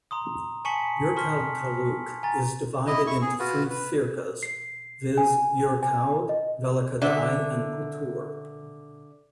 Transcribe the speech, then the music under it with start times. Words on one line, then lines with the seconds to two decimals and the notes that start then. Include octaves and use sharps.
Yercaud Taluk is divided into three Firkas viz., Yercaud, Vellakkadai and Puthur.
0.11 A#5 C6 D#6
0.65 G#5 A5 C#6 B6 C#7 F#7
1.16 A5 C6 C#6 F6 B6
2.23 G#5 A#5 A6
2.87 E4 D#5
3.07 E4 C#6
3.21 G#4
3.39 F4 F#4 B4
3.70 B4
4.43 C7
5.18 G#5
5.83 G#5
6.29 D#5
7.02 D3 E5